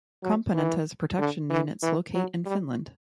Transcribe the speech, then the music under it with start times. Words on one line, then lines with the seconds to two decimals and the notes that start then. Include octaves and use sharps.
Componenta’s production units locate in Finland.
0.23 F#3
0.54 E3
1.19 D3
1.50 E3
1.83 E3
2.15 F#3
2.46 G3